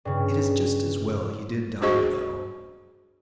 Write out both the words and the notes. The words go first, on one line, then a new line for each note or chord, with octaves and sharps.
"It is just as well he did die, though."
G2 C#3
D4 F#4 G#4 C5 D#5 C#6